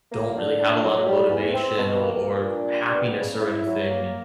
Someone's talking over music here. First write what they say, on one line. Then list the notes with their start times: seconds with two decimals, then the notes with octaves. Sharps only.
don't really have a lotta motivation o or happiness or anything, and,
0.12 A#3
0.35 D3
0.59 D4
0.83 F#3
1.07 G3
1.30 E2
1.53 C4
1.77 B2
2.00 A#3
2.23 A#2
2.48 D4
2.71 G3
2.95 B3
3.18 C#3
3.41 E4
3.66 F#3
3.89 A#3